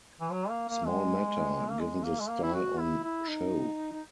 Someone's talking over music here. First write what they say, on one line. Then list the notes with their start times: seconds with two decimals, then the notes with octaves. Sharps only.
Small matter, given the style on show.
0.20 E3
0.31 F#3
0.50 A#3
0.69 A#3
0.87 G#3
1.71 A#3
1.80 G#3
2.04 A#3
2.20 G#3
2.29 A#3
2.43 E4
2.54 F#4
2.79 E4
3.03 E4
3.28 D#4
3.92 D#4